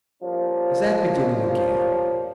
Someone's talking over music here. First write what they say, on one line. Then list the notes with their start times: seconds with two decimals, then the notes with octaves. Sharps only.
Is that beginning again?'
0.23 F3 G3 A#3 C#4